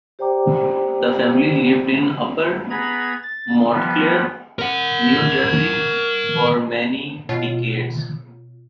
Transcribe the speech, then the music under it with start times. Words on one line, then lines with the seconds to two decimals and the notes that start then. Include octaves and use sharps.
The family lived in Upper Montclair, New Jersey for many decades.
0.19 G4 C5 D5 G5 A#5 D6
2.70 B3 G#4 A#5 B5 G#6
3.23 A6
3.72 F3 G3 B3
4.59 A#4 F#5
7.29 B2 F4 C#5